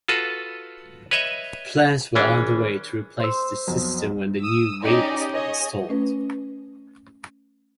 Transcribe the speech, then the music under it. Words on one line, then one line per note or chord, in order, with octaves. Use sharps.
Plans were underway to replace this system when the new radars were installed.
F4 F#4 A4 B4
B4 C#5 D#5 E5
G#1 E3 C#4 D4
C5 E6
B1 F2 B2
D#6 E6
C#4 D#4 G4 G#4 D5 D#5
G#4 C#5 D#5
A3 C#4 B4